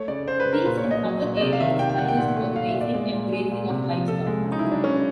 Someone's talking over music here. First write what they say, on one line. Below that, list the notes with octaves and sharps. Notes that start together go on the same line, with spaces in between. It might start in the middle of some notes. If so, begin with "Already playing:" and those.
These and other areas are used for the raising and grazing of livestock.
Already playing: A3 C#5
C#3 D5
C#3 C5
B4
C#3
A#4
A#2 B4
C#5
A#2
D#5
F#3
A#2
D#5
C3 D5
F5
D#3 E5
C3 G5
G5
D#3 F#5
G5
A#2 F#5
A3
A#2 F5
E5
A#2
D5
G#3 D5
A#2
G#3
A#2
C3
F3
C3 A4
G#3
C#3
D#4
E4
F#3
D4
C#3 C#4